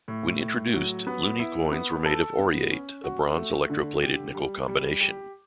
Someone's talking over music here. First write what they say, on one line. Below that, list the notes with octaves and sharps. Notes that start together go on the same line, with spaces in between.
When introduced, loonie coins were made of Aureate, a bronze-electroplated nickel combination.
A2
A2
F#3
B3
E4
B3
A4
B3
C#4
F#4
A3
D3
G4
G3
G3
G4